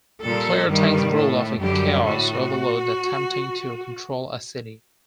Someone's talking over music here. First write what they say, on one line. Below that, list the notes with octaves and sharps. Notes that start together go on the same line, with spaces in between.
The player takes the role of a Chaos Overlord attempting to control a city.
A#2 G3 A4
G2 D#3 G3
A2 A3
F#2 D3 G3 G4
A2 A3 F#4